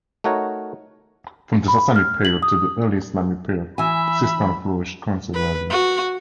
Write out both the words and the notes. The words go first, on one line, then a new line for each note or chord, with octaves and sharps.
From the Sassanid period till the early Islamic period, Sistan flourished considerably.
A3 D#4 F#4 A#4 C#5
B5
F6
F#7
D#6
E3 E5 G#5 B5
B4
F#4